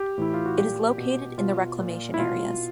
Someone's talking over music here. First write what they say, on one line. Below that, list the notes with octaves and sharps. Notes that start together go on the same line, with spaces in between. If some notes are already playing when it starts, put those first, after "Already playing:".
It is located in the reclamation areas.
Already playing: G4
A2 E3 E4
F4
F#4
A#2 G4
B2
B2 F4
A#2
E4
B2 F4